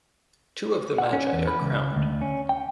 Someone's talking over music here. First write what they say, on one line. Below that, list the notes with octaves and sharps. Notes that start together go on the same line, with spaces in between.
Two of the magi are crowned.
F#5
C#4
E2
B4
C#2
D2
C#4
G5